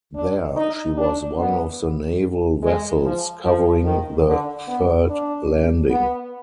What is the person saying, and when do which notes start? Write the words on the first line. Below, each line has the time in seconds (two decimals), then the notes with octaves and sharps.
There she was one of the naval vessels covering the third landing.
0.15 D4
0.56 D#4
0.97 D4
1.39 B3
2.62 G#3
3.03 F3
3.45 F3
3.85 D#3
4.27 D3
4.68 B3
5.09 D4
5.91 B3